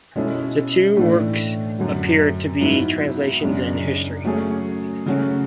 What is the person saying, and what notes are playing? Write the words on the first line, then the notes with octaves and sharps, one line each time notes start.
The two works appear to be translations and history.
B2 G#3 C#4 E4 A4
A2 E3 A3 D4
F#2 D3 F#3
G#2 F#3 B3 E4
F#2 C#3 G#3 D4
F#3 A3 C#4 G#4 C#5
C#3 F#3 A3 C#4 F#4